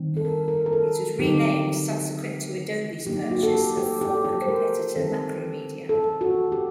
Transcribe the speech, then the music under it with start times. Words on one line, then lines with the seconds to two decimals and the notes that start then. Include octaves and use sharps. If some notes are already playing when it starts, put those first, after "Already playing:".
It was renamed subsequent to Adobe's purchase of former competitor Macromedia.
Already playing: D#3 G3 C4 D#4
0.17 A4
0.25 A#4
0.48 A#4
0.66 A#4
0.73 A4
1.19 D3 F#3 C4 D#4 G4
3.07 F#3 A#3 D#4 G4
3.31 F#4
3.43 A4
3.55 G4
3.77 G4
4.01 G4
4.14 A4
4.25 G4
4.42 C5
4.48 A#4
4.96 D#3 G3 C4 D#4 A4
5.89 A4
6.21 F#4
6.52 G4